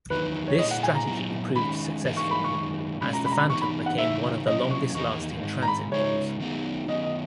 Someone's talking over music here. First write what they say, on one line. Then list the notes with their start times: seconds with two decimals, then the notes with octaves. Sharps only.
This strategy proved successful, as the Phantom became one of the longest-lasting transit models.
0.10 E2 D#3 F#3 B4
0.48 C#5
0.59 A#2 A#3 E4 G#4 D#5
0.71 F#5
0.83 G#5
0.95 A#5
1.07 A#2 F#3 B3 E4
1.55 D#3 G#3 C#4 B5
2.04 G#2 E3 A#3 D#4 G#4
2.17 C#6
2.31 B5
2.44 C#6
2.53 F#2 D#3 G#3
3.01 B2 G#3 C#4 G#4 B5
3.13 A#5
3.26 B5
3.32 A#5
3.37 B5
3.50 E3 B3 D#4 G#4 C#6
3.62 B5
3.86 F#5
3.98 C#3 E3 A#3 D#4 F#4 E5
4.47 B2 F#3 A#3 C#4 E4 D#5
4.71 C#6
4.94 E2 D#3 A#3 D#4 C#6
5.44 G#2 D#3 G#3
5.62 A#5
5.68 B5
5.91 C#3 G#3 D#4 G#4 C#5
6.40 D#3 F#3 B3 D#4
6.88 D#3 F#3 B3 D#5
7.03 D#5